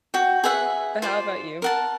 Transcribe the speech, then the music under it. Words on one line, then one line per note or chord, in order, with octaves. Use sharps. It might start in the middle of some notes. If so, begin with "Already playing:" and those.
But how about you?
F#4 G5
G#4 B4 E5 F#5
F4 C5 D5
A#4 F#5 A5